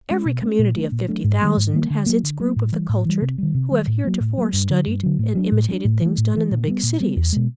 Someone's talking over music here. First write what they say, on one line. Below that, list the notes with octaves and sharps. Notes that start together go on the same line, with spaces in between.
Every community of fifty thousand has its group of the cultured who have heretofore studied and imitated things done in the big cities.
G#3 C#4
B2
G#3 C#4
A#2
F#3 A3 D4
A#2
F#3 A3 D4
G#2
D#3 G3 A#3
G#2
D#3 G3 A#3
D3
F#3 A#3
D3
F#3 A#3
A2
E3 G3
A2
E3 G3
C3
D#3 G3
C3
D#3 G3
A2
F#3 A#3
A2
F#3 A#3
G2
D3 F#3
G2
D3 F#3
A2
F#3 B3 D4
A2
F#3 B3 D4
A2
E3 A3
A2
E3 A3
A#2
G3 B3
A#2
G3 B3
E2
B2 G#3